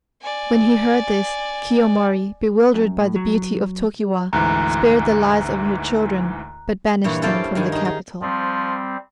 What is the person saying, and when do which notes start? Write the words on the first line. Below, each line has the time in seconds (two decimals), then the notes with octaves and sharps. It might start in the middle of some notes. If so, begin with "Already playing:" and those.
When he heard this, Kiyomori, bewildered by the beauty of Tokiwa, spared the lives of her children, but banished them from the capital.
0.22 D5 G#5
2.74 F#2
3.00 A2
3.16 F#3
4.33 D2 G#2 E3 A#5 F#6
7.04 G2 A#2 E3 C#5
7.22 C#4 E4 F4 A4 C5 D5
7.55 G2 D#3 G#5
7.72 D#4 G#4
7.85 D#4
8.22 F3 G3 C4